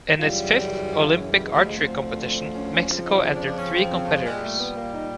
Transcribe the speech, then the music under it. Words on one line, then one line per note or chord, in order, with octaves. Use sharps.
In its fifth Olympic archery competition, Mexico entered three competitors.
F#2 C#3 E3 G3 F4
F#4
F#4
F#4
F4
E4
C#4
G3
G#3
D2 D3 F3 G3
G#3
C4
C#4
C#4
F2 C#3 F3
D#4
D4
D4
D4
C#4
C4
C4
A3
G#3
A#2 G3 G#3
A3
B3
A#3
D#4